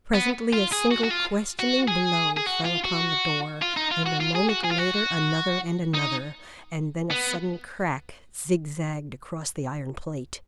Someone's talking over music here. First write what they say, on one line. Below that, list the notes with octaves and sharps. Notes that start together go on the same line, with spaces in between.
Presently a single questioning blow fell upon the door, and a moment later another and another, and then a sudden crack zigzagged across the iron plate.
B3
F4
G#4
F#4
F#4
F4
F#4
G#4
G#4
F#4
F4
F#4
F4
D#4
F4
F#4
F4
G#4
F#4
G#4
F4
F#4
D#4
B3